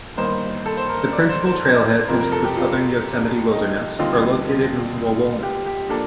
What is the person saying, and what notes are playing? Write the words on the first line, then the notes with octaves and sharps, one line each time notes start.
The principal trailheads into the southern Yosemite wilderness are located in Wawona.
G1 G2 D#3 A#3 D#4 C5
A4
C5
A#4
D5
C5
C5
G1 F2 C3 F3 A#4
A#4
A4
G4
F4
D#4
D#2 D3 G3 C4 D#4 F4
G4
G4
F3 A#3 D4 A4